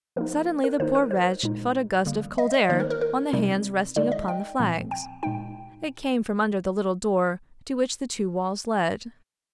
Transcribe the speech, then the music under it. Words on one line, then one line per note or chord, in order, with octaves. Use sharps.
Suddenly the poor wretch felt a gust of cold air on the hands resting upon the flags; it came from under the little door to which the two walls led.
F3 A#3 D#4 A#4
A#4
D#3 A#3 D#4 C5
A#4
C5
A#2 G#3 D#4
D3 G3 A#3
D#5
D5
D#3 A#3 D#4 C5
A#4
A#4
A#4
C3 G3 C4 D#4
D3 G#3 D#4 D5
D#5
G5
A#2 F3 C4
G5
A#2 G#3 D#4 G5